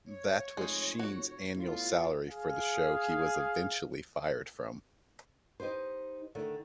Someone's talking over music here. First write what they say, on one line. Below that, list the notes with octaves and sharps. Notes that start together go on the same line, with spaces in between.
That was Sheen's annual salary for the show he was eventually fired from.
C#5
F1 G#3
F#4
A2 B3 F4
G#4 F5
D#4 G4 B4 C5
D3 D#3 A3